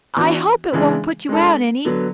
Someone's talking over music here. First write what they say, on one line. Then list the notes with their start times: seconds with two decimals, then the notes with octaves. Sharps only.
"I hope it won't put you out any."
0.16 E3 B3 D4 F#4
0.72 C#3 E3 G#3 D4 G#4
1.29 G#3 D4 A4
1.85 D3 F#3 B3